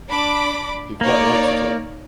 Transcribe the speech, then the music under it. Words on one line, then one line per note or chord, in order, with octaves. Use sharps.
He quite likes it all.
D4 B5 D6
A#3 D#4 C#5 D5